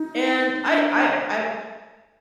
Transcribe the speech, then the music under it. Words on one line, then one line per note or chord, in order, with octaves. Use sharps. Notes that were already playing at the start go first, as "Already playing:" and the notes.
And I I I
Already playing: D#4
D4